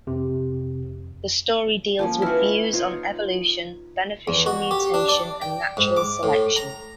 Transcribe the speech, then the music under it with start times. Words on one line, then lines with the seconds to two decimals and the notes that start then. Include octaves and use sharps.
The story deals with views on evolution, beneficial mutation, and natural selection.
0.07 F2 C3
1.99 F3 A#3 C#4
2.22 E4 F#4 B4 E6 F6
2.73 D#4 F4 C#5
4.28 E2
4.46 F#4
4.71 G4
4.94 D4
5.09 D5
5.42 G5
5.77 G#2
5.97 D6
6.23 A2
6.56 A#5